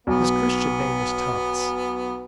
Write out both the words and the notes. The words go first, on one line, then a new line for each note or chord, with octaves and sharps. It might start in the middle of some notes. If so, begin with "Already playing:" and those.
His Christian name was Thomas.
B1 B3